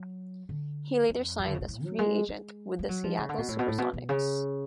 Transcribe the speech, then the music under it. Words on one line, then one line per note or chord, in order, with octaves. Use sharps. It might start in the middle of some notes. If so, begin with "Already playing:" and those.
He later signed as a free agent with the Seattle SuperSonics.
Already playing: F#3
D3
F2
F3
D3
C#3
B2
A2
F#3
G#3
G#3
G#3
F#3
F3
C#3
D3
B2
A2
B2
A2
B2
B2
C#3